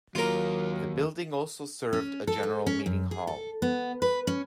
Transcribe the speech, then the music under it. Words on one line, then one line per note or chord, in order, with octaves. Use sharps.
The building also served a general meeting hall.
D#2 F#3 A#3 F4 A#4
C#4
A4
D#4
C#4
F#2
G#4
A4
B3
B4
C#4